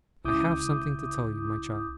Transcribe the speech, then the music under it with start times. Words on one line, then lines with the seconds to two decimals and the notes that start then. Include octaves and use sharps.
I have something to tell you, my child.'
0.25 C#2 C#3 E4 D6 D#6 G6